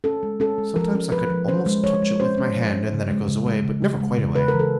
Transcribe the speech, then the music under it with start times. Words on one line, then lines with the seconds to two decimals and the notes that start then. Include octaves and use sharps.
Sometimes I could almost touch it with my hand, and then it goes away, but never quite away.
0.04 C#4 A4
0.23 G#3
0.40 C#4 A4
0.58 G#3
0.76 F3 A#4
0.95 C#4
1.12 F3 B4
1.30 F3
1.48 C#4 C5
1.66 G#3
1.84 F3 C#5
2.02 G#3
2.20 C#4 C5
2.38 C#4
2.56 F3
2.74 C#4
2.93 C#3
3.10 G#3
3.28 C#3
3.46 G#3
3.64 C#3
3.82 C#3
4.00 G#3
4.18 C#3
4.35 C#3 B4
4.48 A#4
4.54 E3
4.59 A4